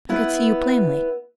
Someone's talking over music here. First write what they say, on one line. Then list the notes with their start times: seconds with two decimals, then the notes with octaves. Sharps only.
I could see you plainly.
0.09 B3 E4 B4